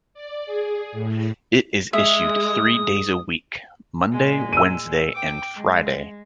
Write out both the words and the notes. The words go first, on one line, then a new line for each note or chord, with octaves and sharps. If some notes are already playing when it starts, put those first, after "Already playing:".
It is issued three days a week, monday, wednesday and friday.
D5
G#4
A2
G#3 E5 D#6
A#2 G#3
E6 D#7
G5 D6
G#3